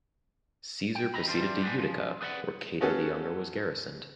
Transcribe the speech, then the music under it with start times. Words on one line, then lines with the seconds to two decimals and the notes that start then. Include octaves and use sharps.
Caesar proceeded to Utica, where Cato the Younger was garrisoned.
0.95 G5
1.14 D#5 A#5 B5
1.26 E3 G3 D4 F4
1.63 G#3 B3 C4 D4
1.78 C#3 F3
2.21 G#4 B4 D5 E5 F#5
2.81 A3 B3 C#4 F#4 G#4 A4